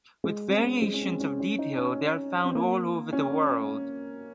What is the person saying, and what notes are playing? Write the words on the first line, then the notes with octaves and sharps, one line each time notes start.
With variations of detail they are found all over the world.
G#3
C4
C#4
G#3
C#4
C4
C#4
C#4
D#4
C#4
C4
A#3
C#4